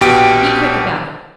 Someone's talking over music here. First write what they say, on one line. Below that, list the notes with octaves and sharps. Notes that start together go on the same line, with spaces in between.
"But be quick about it."
A#1 B2 G4 G5 D7